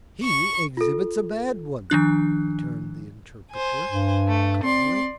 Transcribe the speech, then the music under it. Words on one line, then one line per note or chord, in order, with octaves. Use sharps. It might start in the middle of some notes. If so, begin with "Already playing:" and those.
"He exhibits a bad one," returned the interpreter, calmly.
C#6
F4 A4
D#3 F3 D4 F#6
C5 G#5
G2
A3
C4 D5 C6